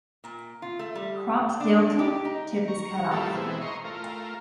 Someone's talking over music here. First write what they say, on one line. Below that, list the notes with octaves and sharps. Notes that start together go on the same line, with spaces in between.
Cropped delta - tip is cut off.
A#2
F4
A3
G3
D4
G4
D#4
A#5 C#6
G3 A3 A#3 E4 F4 A4
B2 E3 G#3 C4 E4
D#5 A#5 C6 C#6
A3 F4 A#4